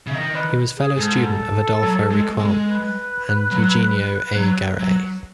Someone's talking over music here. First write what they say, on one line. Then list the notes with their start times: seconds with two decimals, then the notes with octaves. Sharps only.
He was fellow student of Adolfo Riquelme and Eugenio A. Garay.
0.07 C#3 E5
0.14 D#3 D#5
0.34 B4
0.76 G#4
0.98 G#2 A4
1.83 F#3
2.11 G#3
2.40 G#3
2.67 B4
3.51 F#3
4.36 F#3
4.80 F#3